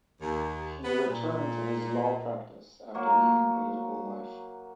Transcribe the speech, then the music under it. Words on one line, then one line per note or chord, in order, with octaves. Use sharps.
He returned to his law practice after leaving political life.
D#2
B3
A#2
F#3 A#3 F#4